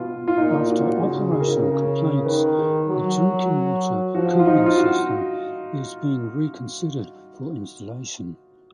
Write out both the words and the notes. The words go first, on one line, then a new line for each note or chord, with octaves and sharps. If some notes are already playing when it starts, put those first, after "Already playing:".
After operational complaints the drinking water cooling system is being reconsidered for installation.
Already playing: B2 F4
F4
A#2 D#4
F#4
F4
F#4
C#3 G#4
G#4
A#4
G#4
C#3 A#4
A#4
D#3 B4
G#4
F#3
F3 F#4
F4
D#4
F4
F#4